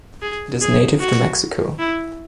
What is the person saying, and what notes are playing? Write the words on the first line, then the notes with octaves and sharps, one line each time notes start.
It is native to Mexico.
G#4
G#4
F#4
E4